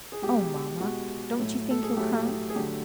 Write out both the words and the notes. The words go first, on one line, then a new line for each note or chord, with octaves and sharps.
"Oh, mamma, don't you think he'll come?"
G#4
B2 G#3 G4
B2 G#3 F#4
A2 F#3 A3
A4
G#4
A2 F#3 A3 G4
G#4
D3 F#3 A3 G4